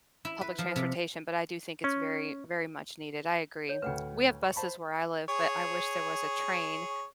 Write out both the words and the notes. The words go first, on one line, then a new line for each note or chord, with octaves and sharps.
public transportation, but I do think it's very, very much needed. I agree. We have buses where I live, but I wish there was a train
E4
B4
F3
C3
C#4
C#5
D2 A2 B4 F#5 G5
C#6
C5 A5 B5
G#4 C#5